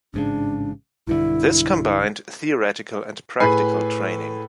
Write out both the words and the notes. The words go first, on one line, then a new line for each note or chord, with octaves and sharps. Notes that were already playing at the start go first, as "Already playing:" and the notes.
This combined theoretical and practical training.
A1 G#2 C#3 D4
B1 G2 D3 E4
A2 G#4 B4 G#5 B5 C7